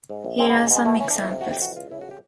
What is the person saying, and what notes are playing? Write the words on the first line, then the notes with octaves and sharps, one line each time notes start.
Here are some examples.
G#2
A#1
C#2 C4
B3
C#2
A#3
B2
G#3
B2 A3
E3 C#4
D4
F2
E4
C3 F4
F#4
F2 G4
E3 F#4
C#2 F4
C#3 E4
F#4
G4